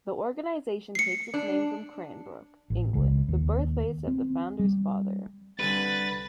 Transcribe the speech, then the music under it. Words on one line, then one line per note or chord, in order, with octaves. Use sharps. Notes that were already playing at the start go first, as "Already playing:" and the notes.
The organization takes its name from Cranbrook, England, the birthplace of the founder's father.
C7 C#7
D4
A1
C#2
D#2
C4
G3
C2 D3 B4 G#5 A6